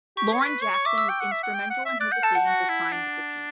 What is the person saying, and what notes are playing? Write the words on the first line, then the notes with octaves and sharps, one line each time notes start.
Lauren Jackson was instrumental in her decision to sign with the team.
G4 C#6
C#5
B4
C#5 C#6
C#6
E5 D6
E6
G5
F#5
E5
F#5
G5
F#5
E5
D5 F#6
F#5 G6
A4 A5
F#5
F#4
E4
D4